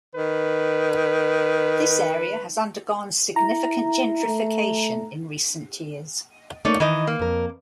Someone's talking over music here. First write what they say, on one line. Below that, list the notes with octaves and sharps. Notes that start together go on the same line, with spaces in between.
This area has undergone significant gentrification in recent years.
D#3 B4
E4 A#5
A3
A3 A#3 D#4 C#5 D5
D#3 E3 D#4 D#5
A#3
F2 A#4